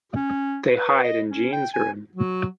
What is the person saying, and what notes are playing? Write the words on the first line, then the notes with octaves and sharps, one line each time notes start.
They hide in Jean's room.
C#4
B4
D#5
C#4
G5
G#5
F#3